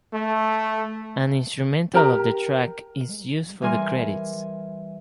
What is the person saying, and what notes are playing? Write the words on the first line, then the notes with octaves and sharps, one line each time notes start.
An instrumental of the track is used for the credits.
A3
G4 A#4 A#5
E3 G3 A#4 G#5 C6